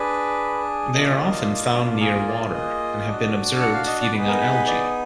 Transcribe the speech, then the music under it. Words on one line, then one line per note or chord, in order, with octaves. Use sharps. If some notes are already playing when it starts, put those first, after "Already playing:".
They are often found near water and have been observed feeding on algae.
Already playing: D4 G#4 B4
A#3 D4 F4 D#5
A#3 F4 G#4 A#4
D5
D#5
D4 F#4
F#5
F5
D#5
D5
B3 D#4 G#4 B4
A#4
B4
B4
D5